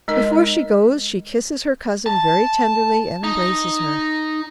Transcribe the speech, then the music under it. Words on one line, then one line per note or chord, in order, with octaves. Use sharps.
Before she goes, she kisses her cousin very tenderly and embraces her.
G#3 D#4 A#4 D#5
A5
D#4